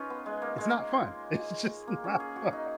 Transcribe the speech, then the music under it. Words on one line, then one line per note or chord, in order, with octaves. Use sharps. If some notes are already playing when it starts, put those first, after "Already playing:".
it's not fun! It's just not fun.
Already playing: C#4 D#4 F4 B4
B3
G#3
A#3
G#3
A#3
C#4
G#4
F#4
D#4